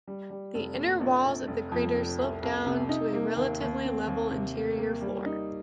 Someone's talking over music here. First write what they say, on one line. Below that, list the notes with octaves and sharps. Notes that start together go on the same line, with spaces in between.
The inner walls of the crater slope down to a relatively level interior floor.
G3
G3
F1
A#2
A#1
A#1
F1
F2
F1
C2
C2
C3
D#4
A#3
D#2
D#2
C4
D#2
C3
A#3
A#3
G3
D#4